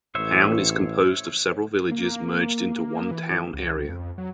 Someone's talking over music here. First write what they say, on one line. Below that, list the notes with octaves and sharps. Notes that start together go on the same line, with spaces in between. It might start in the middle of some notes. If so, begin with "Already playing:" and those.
The town is composed of several villages merged into one town area.
A1 C5 C#5 E5
A#3
A#3
E3
C#2
F2
F#3